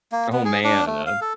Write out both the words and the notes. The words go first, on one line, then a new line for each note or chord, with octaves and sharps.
Oh, man, uh
A#3
B3
G#4
D4
A3
F5
A4